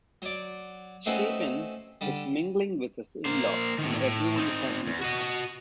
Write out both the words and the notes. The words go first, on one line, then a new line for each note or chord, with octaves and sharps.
Stephen is mingling with his in-laws and everyone is having a good time.
F#3 D5
A3 C4 C#4 D#4 F#4 B4
D3 G3
A#3 C5
A2 D#3
A2
C4 D#4
E2
F#4 D#5